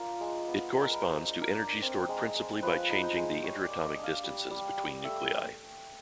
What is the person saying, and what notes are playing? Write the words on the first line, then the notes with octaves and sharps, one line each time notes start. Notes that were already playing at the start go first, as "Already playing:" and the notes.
It corresponds to energy stored principally by changing the inter-atomic distances between nuclei.
Already playing: D4 F4 A#4
G#3
B3
G#3
A#4
B4
G#3 C5
D4
A#4
D4
C4
G#3
G#3
F3 B4
D#4
C5
G#3
G3 C#5
D5
A#3
D#5
D4
F5
G3
G3
G3
A3 E5